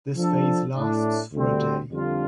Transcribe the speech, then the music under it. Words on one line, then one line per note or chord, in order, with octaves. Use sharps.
This phase lasts for a day.
F3 D4 A4
A2 A3 D4
D2 D3 G3 C4
F2 D3 G3 D4 F4